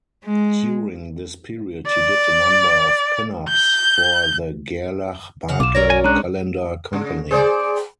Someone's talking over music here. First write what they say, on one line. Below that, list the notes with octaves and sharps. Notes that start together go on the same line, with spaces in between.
During this period, he did a number of pin-ups for the Gerlach-Barklow calendar company.
G#3
D5
G6
C#3 F5 F#5
B1 F4 D6 E7
A#4 C#5 D5 A#6
G#5
G#3 C#4 D4 A#5 F#6
C#3
G#4 C5 D5